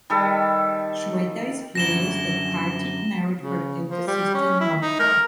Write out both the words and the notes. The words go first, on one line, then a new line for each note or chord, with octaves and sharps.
Shweta is furious that Kartik married her elder sister not her.
D#3 G3 A4
F#2 D3 E4 A#6 E7 G7
C#3
F3
G3
C#4
E4
D#4
A#4